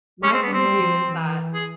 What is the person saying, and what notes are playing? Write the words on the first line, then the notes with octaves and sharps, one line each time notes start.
My point of view is that
G#3 C#4
C4
B3
G3 C4
F3
E3
G#4